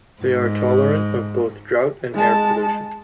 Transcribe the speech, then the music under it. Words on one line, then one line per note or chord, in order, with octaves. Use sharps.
They are tolerant of both drought and air pollution.
G#2
G#3 A5